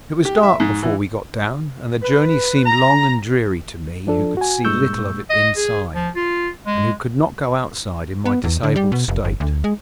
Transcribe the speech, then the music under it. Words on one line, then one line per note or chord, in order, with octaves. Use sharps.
It was dark before we got down, and the journey seemed long and dreary to me, who could see little of it inside, and who could not go outside in my disabled state.
G4
E5
G#2
E3
B4
A#5
F3 D4 A4
F#4 G#5
G2 A#2 G#3 C#6 E6 G6
D#5
G#4
F3
F4
G#3
B3
E2
D3
G3
B2
F1
G1
D2
G#3